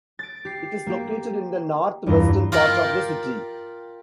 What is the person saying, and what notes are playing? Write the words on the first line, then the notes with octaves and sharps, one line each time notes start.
It is located in the north-western part of the city.
A6 D7
G4 C7
A#3 G4
E2 G2 E4 F4 A#5
F4 G4 A#4 D5 G5